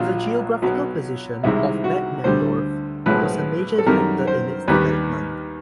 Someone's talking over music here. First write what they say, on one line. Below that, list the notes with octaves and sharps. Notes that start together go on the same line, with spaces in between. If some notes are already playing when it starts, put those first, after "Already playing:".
The geographical position of Bad Nenndorf was a major factor in its development.
Already playing: A#1 A#2 F#3 F4
B1 B2 F#3
C2 C3 D#3 G#3 E4
F#4
D2 D3 G3 C5
B1 A2 F3 G#3 B4
A4
F#2 D#3 G3 A#4
C5
D#2 D#3 G3 B4